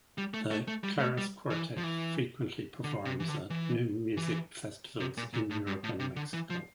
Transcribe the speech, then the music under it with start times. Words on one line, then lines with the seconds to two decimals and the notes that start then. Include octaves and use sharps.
The Kairos Quartet frequently performs at Neue Musik festivals in Europe and Mexico.
0.18 G3
0.34 A3
0.51 A3
0.68 A3
0.84 G3
1.00 A3
1.18 G3
1.50 E3
1.77 F3
1.83 E3
2.84 D3
3.05 C3
3.20 E3
3.28 D3
3.50 E3
4.17 E3
5.00 C3
5.17 A#2
5.33 A#2
5.50 A2
5.67 G2
5.84 A2
6.00 C3
6.16 D3
6.33 E3
6.50 F3